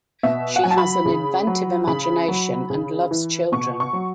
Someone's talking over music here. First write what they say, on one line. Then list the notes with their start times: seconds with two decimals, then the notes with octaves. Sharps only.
She has an inventive imagination and loves children.
0.23 B2 E5
0.56 F#5
0.63 F#3 G#5
0.70 A5
0.78 B5
1.05 C#3
1.47 F#3
1.87 C#3 B5
2.28 F#3
2.70 C#3
3.11 E3
3.52 B2 C#6
3.80 C#6
3.93 F#3